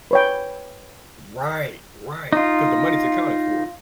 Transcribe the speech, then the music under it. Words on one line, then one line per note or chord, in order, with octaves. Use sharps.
Right, right, 'cause the money's accounted for.
B4 C#5 G5
D#4 F4